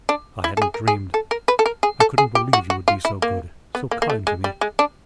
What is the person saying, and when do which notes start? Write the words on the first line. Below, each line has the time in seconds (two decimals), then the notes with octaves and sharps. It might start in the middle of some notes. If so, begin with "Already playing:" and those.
I hadn't dreamed--I couldn't believe you would be so good, so kind to me.
0.09 D4
0.44 E4
0.57 A4
0.62 G#4
0.74 A#4
0.88 G#4
1.14 A4
1.31 A#4
1.48 B4
1.59 A4
1.66 A#4
1.83 G#4
2.00 A4
2.18 G#4
2.35 G4
2.53 F#4
2.70 F#4
2.88 F4
3.05 E4
3.22 A#3
3.75 B3
3.91 A#3
4.02 A#3
4.10 A3
4.27 G#3
4.44 G3
4.61 G#3
4.79 D4